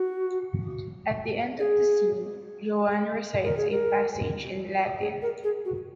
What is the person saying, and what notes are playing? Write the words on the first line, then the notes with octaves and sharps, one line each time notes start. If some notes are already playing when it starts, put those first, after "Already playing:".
At the end of the scene, Joan recites a passage in Latin.
Already playing: F#4
G#4
A#4
G#4
A#4
G#4
A#4
G#4
F#4